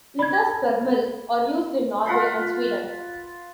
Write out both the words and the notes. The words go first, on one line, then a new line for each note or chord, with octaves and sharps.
Litres per mil are used in Norway and Sweden.
B5 G#6
F4 F#5 B5 C6